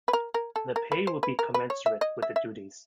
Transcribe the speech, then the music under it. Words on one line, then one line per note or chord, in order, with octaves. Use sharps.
The pay will be commensurate with the duties.
B4
A#4
A#4
A4
A#4
B4
C5
B4
A#4
B4
C#5
E5
D#5
E5
E5